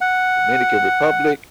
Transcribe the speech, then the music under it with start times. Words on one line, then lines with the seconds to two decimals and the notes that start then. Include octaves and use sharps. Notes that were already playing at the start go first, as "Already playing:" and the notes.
Dominican Republic,
0.01 F#5